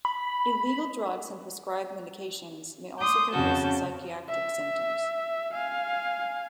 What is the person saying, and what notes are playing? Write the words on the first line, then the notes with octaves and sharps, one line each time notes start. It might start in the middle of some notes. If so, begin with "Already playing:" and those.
Illegal drugs and prescribed medications may also produce psychiatric symptoms.
B5
C6 D6 D#6 G6
F2 C#3 C#4 F#4 A5 G6
E5
F5 G#5